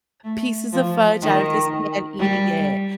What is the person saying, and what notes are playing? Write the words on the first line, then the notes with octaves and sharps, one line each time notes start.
pieces of fudge out of this pan, eating it.
A3
F3
D#3
G3